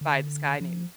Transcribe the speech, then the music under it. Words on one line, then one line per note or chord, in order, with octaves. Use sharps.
by this guy named,
D3
F3